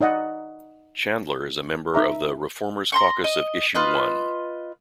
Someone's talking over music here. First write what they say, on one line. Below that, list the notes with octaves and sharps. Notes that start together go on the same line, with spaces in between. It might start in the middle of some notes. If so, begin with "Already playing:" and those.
Chandler is a member of the ReFormers Caucus of Issue One.
D#4 D5 D#5 F#5
D#4 E5 A#5
A#5 C6 C#6
D#5
F4 B4 D#5